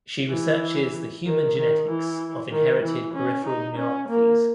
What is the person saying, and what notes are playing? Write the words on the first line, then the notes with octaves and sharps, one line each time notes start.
She researches the human genetics of inherited peripheral neuropathies.
E3
D#3
D#3
E3
D#3
E3
C#4
D#4
C#4
A#3